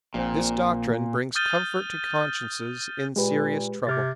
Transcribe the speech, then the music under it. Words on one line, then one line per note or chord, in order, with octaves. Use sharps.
This doctrine brings comfort to consciences in serious trouble.
A#1 A#2 C4
D#6 F6 G6 A6 D#7 G7
A#2 G#3 G4 B4
C3 D6 F6 A6